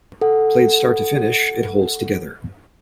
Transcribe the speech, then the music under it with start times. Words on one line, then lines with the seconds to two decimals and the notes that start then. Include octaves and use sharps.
Played start to finish, it holds together.
0.21 A4 F#5